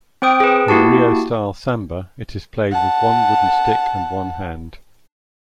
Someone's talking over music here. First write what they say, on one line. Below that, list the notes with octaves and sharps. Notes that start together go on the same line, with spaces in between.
In Rio-style samba it is played with one wooden stick and one hand.
C4 C5 G5 D#6 D7
G#4 B4
A#3 E4 F#4 G4 A5
F#5 A5